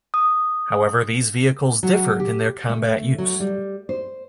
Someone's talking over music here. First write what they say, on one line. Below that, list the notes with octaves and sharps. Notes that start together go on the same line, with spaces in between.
However, these vehicles differed in their combat use.
D#6
F#3
G4
A3
F#3
G3
C5